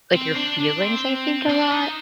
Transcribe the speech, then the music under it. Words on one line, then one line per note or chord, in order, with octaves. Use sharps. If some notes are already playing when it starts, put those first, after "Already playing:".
like, your feelings, I think, a lot?
C4
D4
D4
C4
D4
D#4